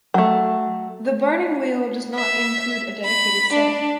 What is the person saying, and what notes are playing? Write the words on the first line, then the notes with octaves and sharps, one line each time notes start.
"The Burning Wheel" does not include a dedicated setting.
F#3 A3
E5
B5
D4